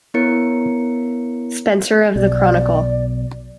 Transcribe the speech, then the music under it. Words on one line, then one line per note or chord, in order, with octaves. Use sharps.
Spencer of the Chronicle.
B3 E4 A#4 C#5 C#7
B1 D5